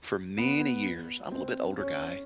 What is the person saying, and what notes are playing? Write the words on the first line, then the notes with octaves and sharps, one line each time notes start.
For many years I'm a little bit older guy.
B3
C4
C#4